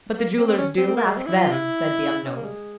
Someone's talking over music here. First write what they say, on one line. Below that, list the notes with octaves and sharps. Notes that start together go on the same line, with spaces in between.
"But the jewelers do: ask them," said the unknown.
A#3
C4
C4
C#4
C4
C4
A#3
G#3
C4
E4
F4
E4
C#4
A#3
G3
G#3